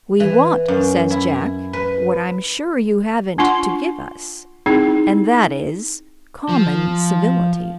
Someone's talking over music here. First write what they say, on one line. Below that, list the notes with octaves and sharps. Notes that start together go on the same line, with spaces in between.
"We want," says Jack, "what I'm sure you haven't to give us--and that is, common civility."
E3
F#2
E4
B4
D4 F4 F#5 C6 C#6
C4 D#4 E4 G#4
F3